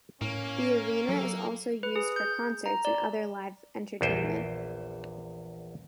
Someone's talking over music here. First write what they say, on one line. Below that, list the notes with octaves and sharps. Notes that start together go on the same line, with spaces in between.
The arena is also used for concerts and other live entertainment.
A2 A#3 C#4
F#3 A4
B4
G#4
G6
A#5
D5
A#1 E2 C5